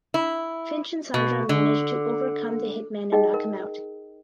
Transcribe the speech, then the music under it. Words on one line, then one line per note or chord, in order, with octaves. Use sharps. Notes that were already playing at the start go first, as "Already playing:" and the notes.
Finch and Sandra manage to overcome the hitman and knock him out.
E4
B2
D3
D#4 G#4 D#5 G5
A#4